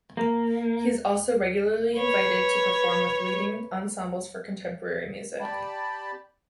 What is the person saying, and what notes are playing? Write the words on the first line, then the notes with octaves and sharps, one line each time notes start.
He is also regularly invited to perform with leading ensembles for contemporary music.
A#3
B4 C#5
G4 D5 G5 A5 B5